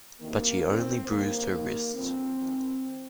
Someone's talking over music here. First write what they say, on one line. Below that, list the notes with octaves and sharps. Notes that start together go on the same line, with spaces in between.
But she only bruised her wrists.
D2 C3 D#3 A#3
F2 D#3 C4
G2 D#3 A#3
D#2 D#3 A#3
F2 D3 F3 C4
F2 D#3